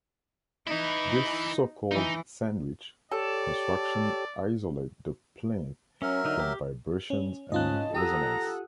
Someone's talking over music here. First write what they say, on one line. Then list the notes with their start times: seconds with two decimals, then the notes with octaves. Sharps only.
This so-called 'sandwich' construction isolate the plinth from vibrations and resonance.
0.67 E3 D#4 E4
1.92 E3 D#4
3.12 G4 A4 C#5 D5
6.02 F#3 C#4 A#4 E5
6.25 D3 D#4
6.39 G4
7.10 C#4
7.52 G#2 C#4 D#4 F4 D#5 A5 F#6
7.94 F4 G4 A4 F#5 A#5 D#6 E6